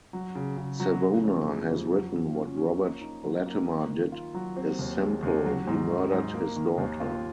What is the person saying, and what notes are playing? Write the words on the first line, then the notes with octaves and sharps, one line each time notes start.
Savona has written, What Robert Latimer did is simple: He murdered his daughter.
F#3
C#3
C#3
F#3
C#3
F2
G#3
F2
F#3
F#3
C#4
C#4
A#3
D#4
F#3
A#3
A#3
D#3
F4
F#3
C4
D#2
G#3
D#2
F#3
G#2
D#3
G#2
A#3
D#3
D#2
F4